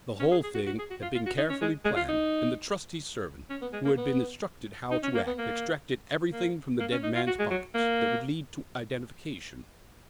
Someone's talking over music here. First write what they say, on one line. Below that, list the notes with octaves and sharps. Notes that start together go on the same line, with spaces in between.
The whole thing had been carefully planned, and the trusty servant, who had been instructed how to act, extracted everything from the dead man's pockets that would lead to identification.
C#4
G#4
G#4
F#4
F#4
G#4
F#4
F4
F4
F#4
D#4
C#4
G#3
G#3
F4
D#4
C#4
B3
G#3
A#3
B3
D#4
C#4
A#3
B3
A#3
A#3
A#3
C#4
D#4
F4
F#4
G#3
F#3
A#3